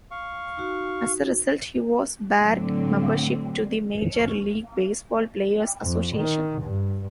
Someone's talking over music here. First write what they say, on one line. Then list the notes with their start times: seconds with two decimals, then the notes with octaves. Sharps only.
As a result, he was barred membership to the Major League Baseball Players Association.
0.11 F5 C#6
0.57 D#4 F#4
2.41 A2 D3 F#3 A3 C4
5.83 F2
6.16 D#3
6.63 G2